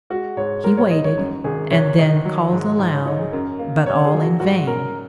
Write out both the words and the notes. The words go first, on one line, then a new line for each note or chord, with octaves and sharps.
He waited and then called aloud, but all in vain.
G#3 F#4
G#2 C#5
G#2 A#4
C#5
D#4 D#5
C#5
F#2
G#1 G#4
G#1 C#5
D#3 D#5
F#3
G#2
G#2
C#5
D#4 C#5
G#4
F#2 A#4
A#3
F#1 C#5
G#4
F#3
F#4
G#2 F#4
C#4 A#4